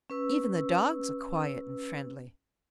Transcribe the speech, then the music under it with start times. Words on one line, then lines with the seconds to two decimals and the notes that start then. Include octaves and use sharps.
Even the dogs are quiet and friendly.
0.10 C#4 B4 E6